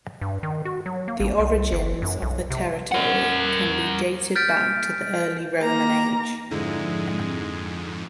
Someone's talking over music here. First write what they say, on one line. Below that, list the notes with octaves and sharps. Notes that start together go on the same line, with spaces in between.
The origins of the territory can be dated back to the early Roman age.
G2
D#3
F#4
F#3
A#3
A1
C2
G1
F#2
B1
C3
A#4 F#5
F6 G6 A6 B6 D7
A#3 A#5
F2 G#2 D3 G#3 E4